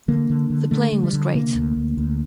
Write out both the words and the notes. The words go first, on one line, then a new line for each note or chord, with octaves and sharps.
The playing was great.
D3 A#3
D3
D3
D3 A3
D3
G3
D3
C3 A#3
D2
D2
D2